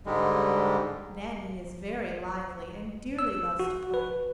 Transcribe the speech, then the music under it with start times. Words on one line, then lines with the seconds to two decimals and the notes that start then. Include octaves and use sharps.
Then, he is very lively and dearly loves to play.
0.06 G#2 D3 G3 G#3
3.19 E6
3.60 F#4
3.94 B4